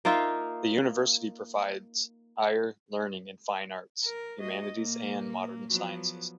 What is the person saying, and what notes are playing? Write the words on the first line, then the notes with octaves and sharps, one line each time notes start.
The university provides higher learning in fine arts, humanities and modern sciences.
A#3 D#4 F4 E5
A#4
A3 F#4 D#5
A#2 A#3
F3 F#3 B3